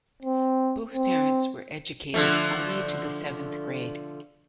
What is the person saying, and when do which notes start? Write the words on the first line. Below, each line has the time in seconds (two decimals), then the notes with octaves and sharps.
Both parents were educated only to the seventh grade.
0.23 C4
0.94 C4
2.14 D3 F3 A3